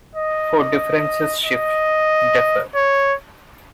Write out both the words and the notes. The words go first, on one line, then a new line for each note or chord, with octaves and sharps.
For differences shift, defer.
D#5
D#5
D#5
C#5